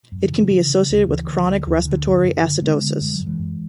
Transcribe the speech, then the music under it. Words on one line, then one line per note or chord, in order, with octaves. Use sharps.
It can be associated with chronic respiratory acidosis.
F#2
D3
C#3 E3
C#3
C#3
D2
D2 E3
D2
D2
D2
D3
F#2
F#2
D3
D3 G#3 B3
D3
F#2 G#3
F#3
F#2
E3 G#3
F#2